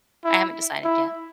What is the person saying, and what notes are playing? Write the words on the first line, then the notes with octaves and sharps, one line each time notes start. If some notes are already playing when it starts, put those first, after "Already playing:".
I haven't decided yet.
E4
E4